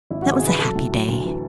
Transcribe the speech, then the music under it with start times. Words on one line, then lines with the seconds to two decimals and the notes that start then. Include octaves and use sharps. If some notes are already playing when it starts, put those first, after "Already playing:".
That was a happy day.
0.11 G#1 E4 E5
0.22 G#1 F#4 F#5
0.35 G#4 G#5
0.43 C#3 B4 B5
0.59 F#3 A4 A5
0.75 A2
0.92 F#3
1.08 D2
1.25 E3